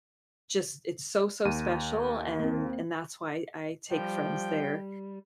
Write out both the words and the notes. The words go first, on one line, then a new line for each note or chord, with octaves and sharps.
just it's so, so special and and that's why I take friends there.
D#2 D#7
A#3 C4
F3 G3 G5